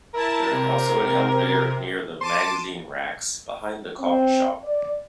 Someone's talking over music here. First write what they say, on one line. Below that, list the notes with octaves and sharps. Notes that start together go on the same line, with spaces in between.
There is also an elevator near the magazine racks, behind the coffee shop.
E4 A#4 A5
C3
A5 C6 D6 D#7
C4
D5